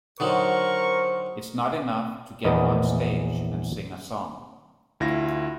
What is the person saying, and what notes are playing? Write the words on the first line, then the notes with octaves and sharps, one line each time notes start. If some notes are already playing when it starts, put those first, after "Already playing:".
It's not enough to get on stage and sing a song.
D3 D#3 F#3 A#4 C5 C#6
A#1 E2 A#4 B4 D#5
D2 E4 F4 A#6